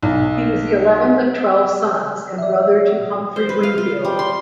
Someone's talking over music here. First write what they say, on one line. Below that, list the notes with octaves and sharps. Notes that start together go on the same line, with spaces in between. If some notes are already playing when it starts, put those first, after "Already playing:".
He was the eleventh of twelve sons; and brother to Humphrey Wingfield.
B1
D5 E5
C5
B4
F5
F4
G3
C6